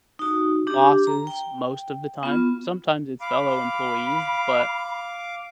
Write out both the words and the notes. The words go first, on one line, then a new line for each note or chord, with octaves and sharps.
b bosses most of the time. Sometimes it's fellow employees. But,
D#4 F#4
D4 G4
A#5
G5
B3 F4
F5 B5 D6